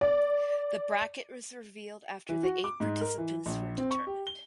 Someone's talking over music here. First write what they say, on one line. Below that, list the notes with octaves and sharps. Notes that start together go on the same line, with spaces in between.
The bracket was revealed after the eight participants were determined.
D5
E3
F#4
D6
G#2
A#4
E3
A#1
C4
C#6
G4
G7